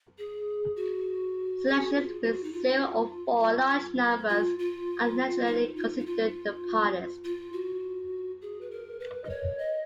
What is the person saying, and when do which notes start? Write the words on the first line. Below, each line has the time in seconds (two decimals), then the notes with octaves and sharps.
Selections with zero or four large numbers are generally considered the hardest.
0.18 G#4
0.76 F#4
1.67 G#4
1.81 F#4
1.94 F4
2.23 F#4
2.43 D#4
2.53 F4
4.29 F4
4.59 F4
5.47 D#4
5.76 F4
5.99 D#4
6.06 F4
7.24 F4
7.53 F#4
8.42 G#4
8.61 B4
8.71 A#4
9.00 B4
9.24 D#5
9.30 C#5
9.59 D#5